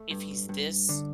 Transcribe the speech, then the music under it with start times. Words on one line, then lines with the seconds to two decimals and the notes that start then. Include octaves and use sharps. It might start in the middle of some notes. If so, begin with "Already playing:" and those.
If he's this
Already playing: A3
0.11 G2
0.49 G2
0.89 D3